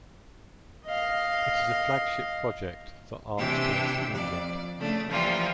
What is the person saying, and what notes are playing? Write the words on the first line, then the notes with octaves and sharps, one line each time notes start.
It is a flagship project for Arts Council England.
D#5 F5
C3 E3 D4 G4 G5 E6
F2 D5
C#3 A3 D4
E3 F3 G3 A#3 F4